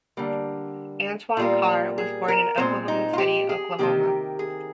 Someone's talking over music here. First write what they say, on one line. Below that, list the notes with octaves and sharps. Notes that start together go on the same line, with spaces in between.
Antoine Carr was born in Oklahoma City, Oklahoma.
D3 G3 A#3
A#2 G3 A#3 F4
G#4
A#4
A#2 G#3 C4 C5
D#4
F4
G4
G#4
C3 D#3 A#3 G4
G#4